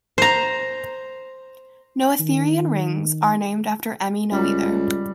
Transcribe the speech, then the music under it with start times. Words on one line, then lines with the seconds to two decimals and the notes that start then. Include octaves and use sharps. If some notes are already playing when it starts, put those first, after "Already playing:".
Noetherian rings are named after Emmy Noether.
0.18 C5 A#5
2.20 D#3
4.32 C#2 G3